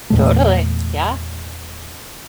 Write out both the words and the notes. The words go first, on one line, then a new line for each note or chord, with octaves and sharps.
Totally. Yeah.
E2 A#2 A3